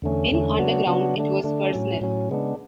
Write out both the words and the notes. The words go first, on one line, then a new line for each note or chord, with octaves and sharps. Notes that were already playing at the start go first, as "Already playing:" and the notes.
In "Underground", it was personal.
E2 D3 A3 C#4
E2 D3 A3 C#4
C#3 F#3 B3 D4 F#4
C#3 F#3 B3 D4 F#4
D3 A3 D4
D3 A3 D4
A2 F#3 C#4
A2 F#3 C#4
C#3 G#3 B3 D4